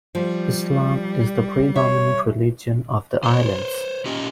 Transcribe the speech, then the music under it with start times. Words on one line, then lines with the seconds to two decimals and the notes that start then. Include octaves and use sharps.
Islam is the predominant religion of the islands.
0.15 F3 G3
1.76 C#5 E5
3.24 C5 C#5
4.05 C#4 F4 G4 D#5